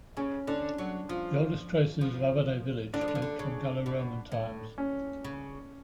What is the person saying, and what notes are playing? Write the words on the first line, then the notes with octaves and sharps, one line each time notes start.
The oldest traces of Avenay village date from Gallo-Roman times.
C#3 C#4
D3 D4
F#3
F3 F4
F3
D3 D4
F3
D3
F3
D3
C#3
B2
A2
C#4
C#3